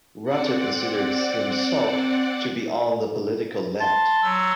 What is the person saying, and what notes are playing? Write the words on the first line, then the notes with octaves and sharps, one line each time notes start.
Rutter considers himself to be on the political left.
C4 D5 F#5
A5 C6
F#3 C6 E6